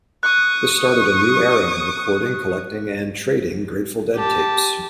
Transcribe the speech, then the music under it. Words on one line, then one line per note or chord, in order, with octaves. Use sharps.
This started a new era in recording, collecting, and trading Grateful Dead tapes.
C#6 D#6 F#6
G4 A5